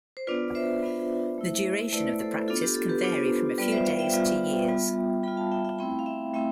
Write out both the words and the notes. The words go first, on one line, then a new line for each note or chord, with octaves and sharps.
The duration of the practice can vary from a few days to years.
C5
B3 D4 F4 B4 D5
C5 E5
B3 D4 F4
A3 E4
A3 E4 B4 D5
A4 C5
B3 D4 F4 A4
G4
A4
G4 B4
B3 D4 F4 A4 C5
G3 B3 F4 B4 D5
C5 E5
D5 F5
E5 G5
G3 B3 F4
G3 B3 F4
G3 B3 F4 G5 B5
F5 A5
E5 G5
E5 G5
A3 C4 E4 G5 B5
F5
E5 G5
A3 C4 E4 E5 G5